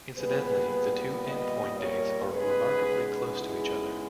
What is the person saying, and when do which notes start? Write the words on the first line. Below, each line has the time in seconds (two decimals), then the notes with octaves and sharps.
Incidentally, the two end point dates are remarkably close to each other.
0.17 A#2 G3 B3 G#4 B4
1.25 B4 D#5
1.78 A#4 C#5
2.31 C#3 G#3 B3 D#4 G#4 B4
3.38 E4 G#4